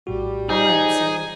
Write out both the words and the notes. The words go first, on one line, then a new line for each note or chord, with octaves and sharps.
"All right, Sam."
A#1 A2 G3 F#4
D#4 F4 G#4 C5 G6